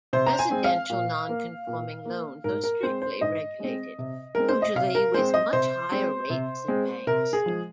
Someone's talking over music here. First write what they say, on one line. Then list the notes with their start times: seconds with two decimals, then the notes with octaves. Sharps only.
Residential non-conforming loans are strictly regulated, usually with much higher rates than banks.
0.13 C3 C5
0.26 A#5
0.39 G#5
0.51 G#3 C4
0.64 F5
0.90 A#2
1.29 A#3
1.67 A#2
2.05 A#3
2.44 G#2 A#4
2.64 A#4
2.83 G#3 C4 C5
3.02 C5
3.21 G#2 D#5
3.60 G#3 C4
3.98 C3
4.35 G#3 C4 A#4
4.49 C5
4.62 D#5
4.75 C3 F5
4.95 A#4
5.14 G#3 C4 C5
5.34 D#5
5.53 C3 C5
5.91 G#3 C4
6.30 C3
6.68 G#3 C4
7.07 C3 A#4
7.33 G#4
7.46 F3 G#3